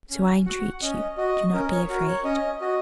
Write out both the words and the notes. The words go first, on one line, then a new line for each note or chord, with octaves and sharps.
So I entreat you do not be afraid.
C#4
F#4 F#5
C#4 D#5
F#4 D#5
C#4 A#4
C#5
F#4 A#4
C#5
C#4 D#5
F#4 D#5